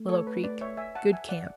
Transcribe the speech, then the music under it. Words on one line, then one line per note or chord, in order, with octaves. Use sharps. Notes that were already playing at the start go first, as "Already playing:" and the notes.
Willow Creek.--Good camp.
Already playing: A3
A4 C#5
B4
B4 D5
C#5 E5
E5 G#5
F#5 A5
E5 G#5
D5 F#5